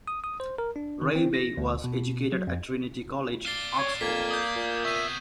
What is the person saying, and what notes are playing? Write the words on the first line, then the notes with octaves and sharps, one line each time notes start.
Reibey was educated at Trinity College, Oxford.
D#6
D#6
C5
A#4
D4
D#3
C4
A#6
D2
B2
F#3
F2
D5 F5 A6 C7 G7
C#5
F2 A#3 G#6 B6
D#6 G6
A#2
C3 B3 E5 C#6 D#7